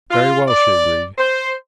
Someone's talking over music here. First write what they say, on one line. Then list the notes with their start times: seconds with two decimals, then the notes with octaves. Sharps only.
"Very well," she agreed.
0.10 F4
0.48 D5
1.18 C5